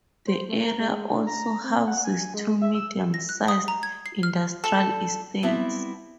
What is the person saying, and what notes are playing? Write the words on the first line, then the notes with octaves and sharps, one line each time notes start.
The area also houses two medium-sized industrial estates.
C5
A3
A#4
G#3
D4
A#5
C4
F#5
G#5
G#3
E5
E6
A#6
F#6
D#6
A#5
G#6
C7
F6
A4
G3 B3 C4 E4 E5 A5